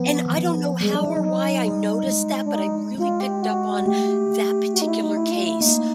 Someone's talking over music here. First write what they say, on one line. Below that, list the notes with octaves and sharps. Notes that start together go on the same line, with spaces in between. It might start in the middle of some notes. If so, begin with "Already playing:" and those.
and I don't know how or why I noticed that, but I really picked up on that particular case,
Already playing: F3 B3
E3
F3
G3 G#3
F#3 D4
F3
D#4
F#3
D#4
G3
G3
G#3
D4
D#4
G#3 F4
G4
F#4
A3 G4
F#4
D#4
E4
D#4
E4
F4
E4
A#3 D#4